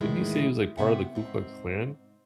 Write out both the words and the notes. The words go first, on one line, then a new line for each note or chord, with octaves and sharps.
Didn't he say he was like part of the Ku Klux Klan
E2 A2 D#3 G#3 E4
C3 B3 E5 F#5
G#2 C4